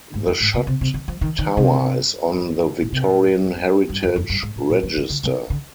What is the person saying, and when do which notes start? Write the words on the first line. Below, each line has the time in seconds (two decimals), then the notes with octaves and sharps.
The shot tower is on the Victorian Heritage Register.
0.14 G#2
0.27 F2
0.40 G#2
0.54 C3
0.67 C3
0.81 C3
0.94 D#3
1.08 F3
1.21 D#3
1.39 D#3
1.57 C3
2.82 A#2
2.92 C3
3.03 A#2
3.89 G2
4.03 F2
4.16 F2
4.30 G2
4.42 G#2
4.56 A#2
4.70 A#2
4.83 F3
4.97 D#3
5.10 D3
5.23 C3
5.50 D3